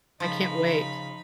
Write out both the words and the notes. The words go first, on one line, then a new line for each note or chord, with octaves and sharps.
I can't wait,
C#3 F3 D#4 B5